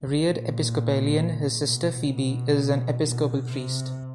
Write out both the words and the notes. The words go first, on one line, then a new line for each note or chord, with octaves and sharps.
Reared Episcopalian, his sister Phoebe is an Episcopal priest.
A#2
B2
B2
B2
C3